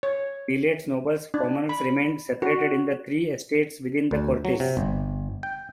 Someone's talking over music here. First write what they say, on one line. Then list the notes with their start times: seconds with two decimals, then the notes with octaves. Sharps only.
Prelates, nobles and commoners remained separated in the three estates within the Cortes.
0.03 C#5
1.34 D4
1.69 B5
2.42 F#4
4.11 D2
4.45 F#3
4.60 C3
4.77 G1
5.43 G5